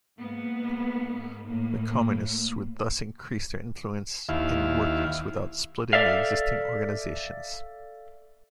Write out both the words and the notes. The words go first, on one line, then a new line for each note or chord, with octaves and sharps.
The Communists would thus increase their influence in workers without splitting the existing organisations.
G#2 A#3 B3
A2 A#3
D#2 E4 F5
A4 D5 E5 F5